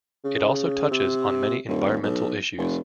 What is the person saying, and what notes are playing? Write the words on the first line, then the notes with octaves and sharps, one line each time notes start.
It also touches on many environmental issues.
C#3
C3
D#1
B1
F1